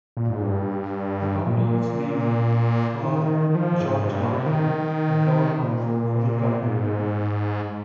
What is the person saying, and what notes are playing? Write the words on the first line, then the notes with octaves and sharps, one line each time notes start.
The county is named for George Law Curry, a governor of the Oregon Territory.
A#2
G#2
G2
A#2
D#3
D#3
F3
G#2
G2
A#2
C3
D#3
A#2
A#2
G#2